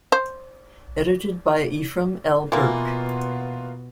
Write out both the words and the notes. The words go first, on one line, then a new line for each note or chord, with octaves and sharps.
Edited by Efram L. Burk.
C5
B2 E3 A#3 F4 F#5 C6